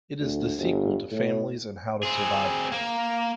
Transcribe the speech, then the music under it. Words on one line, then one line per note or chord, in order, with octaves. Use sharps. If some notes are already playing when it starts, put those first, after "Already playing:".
It is the sequel to "Families and How to Survive Them".
D2
G1
A2
C4 G#4
A#3